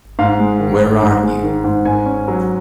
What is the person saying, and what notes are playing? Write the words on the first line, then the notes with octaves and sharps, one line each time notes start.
Where are you?
G#2 F5
G#3
D#3
G#2
G#2
G#3
D#3
G#2
G#2 G#5
C#4
F#3